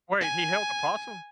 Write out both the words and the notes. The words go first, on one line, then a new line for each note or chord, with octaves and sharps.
Wait, he held a possum?
G#5